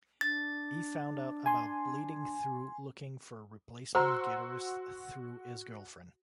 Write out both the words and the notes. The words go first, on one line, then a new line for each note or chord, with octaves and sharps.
He found out about Bleeding Through looking for a replacement guitarist through his girlfriend.
D4 A6
G#5 C6
F#4 C5 A#5 C6 E6